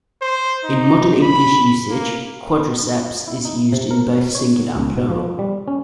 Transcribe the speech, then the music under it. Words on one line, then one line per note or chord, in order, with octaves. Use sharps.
In modern English usage, "quadriceps" is used in both singular and plural.
C5
D#4
B5
A#3
E4
D#4
C3
A#4
B2
C#5
C#2
B2
F3
G3
C#4